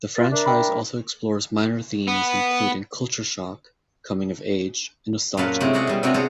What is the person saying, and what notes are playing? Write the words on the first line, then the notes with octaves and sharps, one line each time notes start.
The franchise also explores minor themes including culture shock, coming of age, and nostalgia.
F4 A#4 A6
D4 A#4 E5
G5 B5
B3
F#2 A#2 C#4 B4 F5 A5
C3 G#3 A3 C4 E4
C4 C#4 F#4 G#4 D5 F#5
B2 G3
C3 G3 B3 C4 D4 F#4
G#4 A4 C5 C#5 A5